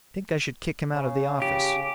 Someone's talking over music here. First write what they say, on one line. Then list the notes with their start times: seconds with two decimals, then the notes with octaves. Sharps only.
"I think I should kick him out of the office."
0.94 C#3
1.42 G4